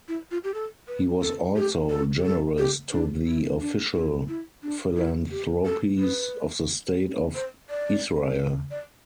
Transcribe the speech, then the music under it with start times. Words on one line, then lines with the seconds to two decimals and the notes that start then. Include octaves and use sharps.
He was also generous to the official philanthropies of the State of Israel.
0.08 E4
0.31 F4
0.44 G4
0.54 A4
0.88 B4
1.22 A4
1.56 G4
1.90 A4
2.18 G4
2.24 A4
2.58 G4
2.92 D4
3.26 E4
3.61 D4
3.94 E4
4.28 E4
4.63 D4
4.97 E4
5.31 G4
5.65 A4
5.99 B4
7.35 C5
7.70 D5
8.71 D5